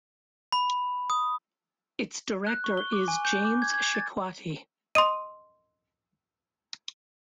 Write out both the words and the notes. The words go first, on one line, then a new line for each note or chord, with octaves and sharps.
Its director is James Shikwati.
B5
D#6
F#6
C#6
G7
D6
G#5
G6
D6
G#6
G#6
A6
D#5 C6 D#6 D#7